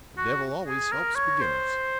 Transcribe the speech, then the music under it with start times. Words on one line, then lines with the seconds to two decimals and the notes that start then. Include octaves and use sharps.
The devil always helps beginners.
0.17 F#4
0.67 G#4
0.92 A#4
1.15 C#5
1.41 C5